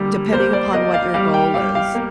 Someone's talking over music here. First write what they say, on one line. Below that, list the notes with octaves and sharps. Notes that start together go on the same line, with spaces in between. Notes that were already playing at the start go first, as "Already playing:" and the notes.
depending upon what your goal is,
Already playing: D3 G3 A#3
A#3 C5
D5
A#3 D#5
F5
G3 F5
G5
G3 F5
F5
A#3